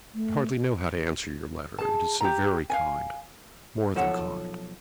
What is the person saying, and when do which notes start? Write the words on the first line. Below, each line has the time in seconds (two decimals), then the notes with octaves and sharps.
I hardly know how to answer your letter, it is so very kind--more than kind.
0.14 A3
1.78 G#4 A5
2.20 G4 A#5
2.70 F5 G#5
3.95 B1 B2 F3 A4 C#5 F#5